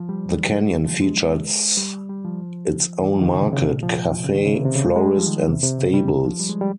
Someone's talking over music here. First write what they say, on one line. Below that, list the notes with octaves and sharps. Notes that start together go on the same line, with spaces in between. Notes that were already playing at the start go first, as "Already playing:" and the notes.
The canyon features its own market, cafe, florist and stables.
Already playing: F3
G3
F3
G#3
G3
G3
F3
D#3
F3
D#3
C#3
C3
C#3
C3
A#2
F3
C#3
D#3
C#3
C3
C3
C#3
G#3
G#3
G3
F3
D#3
C3
C3
C#3
G3
F3
G3
G#3
G3